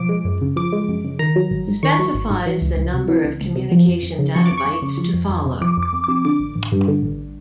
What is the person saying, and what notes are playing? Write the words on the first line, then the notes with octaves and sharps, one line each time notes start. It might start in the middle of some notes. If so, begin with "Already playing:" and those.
Specifies the number of communication data bytes to follow.
Already playing: B2 F3 D6
G#3
F#2
C#3
F3 D6
G#3
F#2
C#3
D#3 A#5
F#3
G#1
G#2
D#3 C#6
F#3
G#1
G#2
E3
C#2
C#2
C3
E3
C#2
C#2
C3
F3
F2
F2
C#3
F3 C#6
D6
F2
C#6
F2
C#3
F3
F2
F2
C3
F3 D6
F2
D6
F2
C3 D6
D3 D6
A1
A1
G2
D3
A1